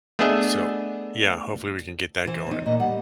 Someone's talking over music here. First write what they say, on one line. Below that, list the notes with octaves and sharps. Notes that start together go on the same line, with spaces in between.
so, yeah, hopefully, we can get that going.
A3 B3 D4 G#4 D#5 E5
E3 C5
E2 D#4
A#2 D#5
G3 F#5